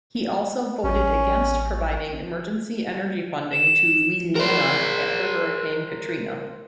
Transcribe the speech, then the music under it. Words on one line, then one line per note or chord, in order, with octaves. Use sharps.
He also voted against providing emergency energy funding to Louisiana after Hurricane Katrina.
A1 C#4
E7
A#4 C5